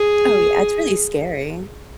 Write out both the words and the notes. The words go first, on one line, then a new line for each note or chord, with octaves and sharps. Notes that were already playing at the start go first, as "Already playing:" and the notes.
Oh, yeah. It's really scary.
Already playing: G#4